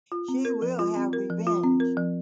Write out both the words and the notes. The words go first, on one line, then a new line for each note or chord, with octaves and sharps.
She will have revenge.
F4
C4
A#4
F3
F4
C4
A#4
F3
F4
C4
A#4
F3